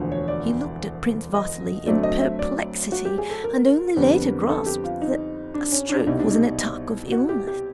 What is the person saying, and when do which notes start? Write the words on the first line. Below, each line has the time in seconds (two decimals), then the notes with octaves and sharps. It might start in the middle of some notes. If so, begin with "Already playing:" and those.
He looked at Prince Vasili in perplexity, and only later grasped that a stroke was an attack of illness.
Already playing: E1 D2 D3 F3
0.12 C#5
0.28 D5
1.34 D#5
1.86 D2 D3 F#3 A3 C4 D5
2.03 D#5
2.21 E5
2.39 D5
2.92 F#4
3.05 G4
3.18 G#4
3.30 A4
3.44 A#4
3.96 F2 D3 G3 B3
4.49 A4
4.66 G4
4.84 F4
5.02 D#4
5.54 D4
5.72 C#4
5.89 D4
6.07 C2 B2 G3 D#4
6.19 D4
6.31 D#4
7.12 F#4
7.29 G4
7.47 G4